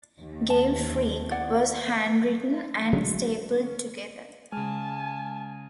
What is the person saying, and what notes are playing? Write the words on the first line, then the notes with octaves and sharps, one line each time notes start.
"Game Freak" was handwritten and stapled together.
D#2
A5
E4 D5 F#5
D3 F#3 G#3 A3
C#3 G#3 G#5 A5 F6